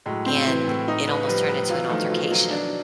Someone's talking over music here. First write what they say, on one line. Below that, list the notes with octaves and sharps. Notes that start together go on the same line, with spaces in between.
and it almost turned into an altercation
A2 F#3 G#3
C4
E3
A2
D#4
B4
F3 G3 B4
B4
E3 F#3 F4
D#3 F3 A3
B2
F4
F#3
D4